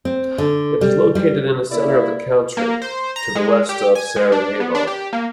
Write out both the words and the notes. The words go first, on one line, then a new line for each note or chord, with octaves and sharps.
It is located in the center of the country, to the west of Sarajevo.
C4
D3
G3
G3
A#3 E4 D5
A#3
C5
A#5
G#3
G4
G#5
G#3
D4
B3
D4
G4
A#3